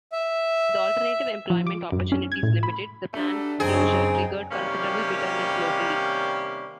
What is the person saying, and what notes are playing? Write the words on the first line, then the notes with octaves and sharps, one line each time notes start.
With alternative employment opportunities limited, the plant closure triggered considerable bitterness locally.
E5
F3
D6
F#2
C#4
G#6
A2
B5
F#3 G3 A3 D4
F#2 C#3 C4 D#4 G#4
C3 D#3 G3 A#3 C#4 G4